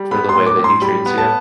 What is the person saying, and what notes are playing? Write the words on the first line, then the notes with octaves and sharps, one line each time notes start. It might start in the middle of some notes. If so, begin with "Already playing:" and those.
for the way that he treats you?
Already playing: G3
B3 B5
C6
A2
D6
A2
C6
G3 B5
B3
A5